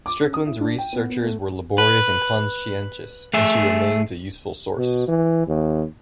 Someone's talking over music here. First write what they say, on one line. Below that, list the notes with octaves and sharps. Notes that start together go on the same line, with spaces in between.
Strickland's researches were laborious and conscientious, and she remains a useful source.
D6
C#4
D#6
E4
D4
G5
B3
B3
A3
B4
A3 G#4 E5
B2
E3
D#2